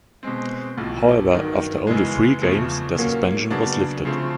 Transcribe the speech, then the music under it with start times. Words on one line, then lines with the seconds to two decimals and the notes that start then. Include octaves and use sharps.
However, after only three games, their suspension was lifted.
0.23 B2 G#3 C4
0.77 B1 A2 F3
1.31 G2 D#3 F#3
1.87 F#2 C#3 E3 G#3 B3
2.41 E2 C#3 F3 A3
2.95 A#2 F#3 A#3 C#4
3.50 C#3 F#3 B3 D4
4.05 C#3 F3 A3 C4